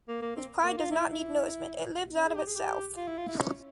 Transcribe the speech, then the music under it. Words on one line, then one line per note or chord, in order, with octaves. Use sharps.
His pride does not need nourishment; it lives out of itself.
A#3
A#3
C4
A#3
F4
E4
E4
C#4
G#4
G4
G#4
G4
F4
E4
F4
E4
C#4